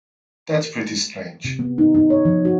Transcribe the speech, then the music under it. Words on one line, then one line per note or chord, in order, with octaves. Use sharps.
That's pretty strange.
C3
B3
D#4
D#4
C#5
F3
F#4